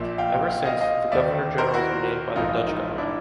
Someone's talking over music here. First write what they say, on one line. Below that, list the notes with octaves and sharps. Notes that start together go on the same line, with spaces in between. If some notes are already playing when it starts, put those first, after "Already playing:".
Ever since, the Governor Generals were named by the Dutch government.
Already playing: A#1 A#2 D5 E5
F5 G5
F5 G5
D#5 F5
D#5 F5
D#2 D#3 D5 E5
A#4 C5
E4 F#4
A#1 G#2 E3 D#4 F4
D#4 F4
D4 E4